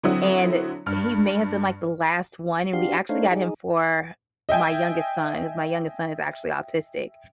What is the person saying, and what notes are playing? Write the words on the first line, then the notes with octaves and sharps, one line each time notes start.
and he may have been like the last one, and we actually got him for my youngest son as my youngest son is actually autistic.
D3 F#3 C4 E4 F#4 D#6
G2 F6
D4 F#4 G4 F5 C6
A3 D4 D#4 C5 C#5 F5
D#4 G#4
D#5 E5 G5 G#5